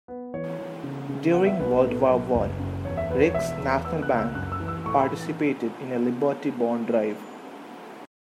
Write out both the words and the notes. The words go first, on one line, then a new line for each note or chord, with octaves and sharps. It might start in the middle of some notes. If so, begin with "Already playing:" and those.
During World War One, Riggs National Bank participated in a Liberty bond drive.
B3
E3 C#5
E3
C#3
C#3
B3 F#5
E5
B1 B4
B4
A2
F#3
F#1
F#2
E2 C#5
E5
E2 B4
C#5
E1 E5
E2
B3 E6
F#6
C#2
E6
F#2 F#6
E6
E3
E6
A2 C#6
B5
E3